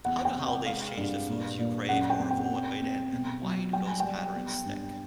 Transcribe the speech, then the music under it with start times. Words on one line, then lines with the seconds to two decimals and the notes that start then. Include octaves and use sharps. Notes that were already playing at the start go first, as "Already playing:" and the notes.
How do holidays change the foods you crave or avoid, and and why do those patterns stick?
0.05 E2 F#5
0.25 G5
0.35 C3
0.46 F#5
0.66 G#3 F5
0.97 G2
1.28 A#2
1.59 A#2
1.89 F#2 F#5
2.10 G5
2.20 C4
2.31 G5
2.51 C4
2.82 C4
3.12 B2
3.43 F#3
3.73 G3 G5
3.87 G#5
4.00 G3 G5
4.35 B3
4.65 G2